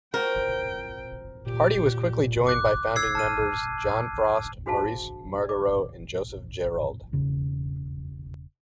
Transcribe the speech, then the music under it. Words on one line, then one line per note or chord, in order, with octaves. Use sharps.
Hardy was quickly joined by founding members John Frost, Maurice Margarot and Joseph Gerrald.
C4 F4 F#4 A#4 G5
A#2 G4
D6 F#6
E6 G#6 C7
A5 F6 D#7
D4 F#4 G#4 C5 F5 A5
D5 D6
E1 C#3